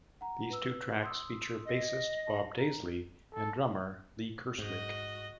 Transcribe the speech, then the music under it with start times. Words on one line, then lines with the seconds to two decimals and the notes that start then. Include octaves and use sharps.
These two tracks feature bassist Bob Daisley and drummer Lee Kerslake.
0.21 F#5 A#5
0.50 B4 E6
1.03 C6 D#6 E6
1.66 D#5
2.27 A5
2.58 A#5
3.33 A4
4.58 G#2 F#4 D#5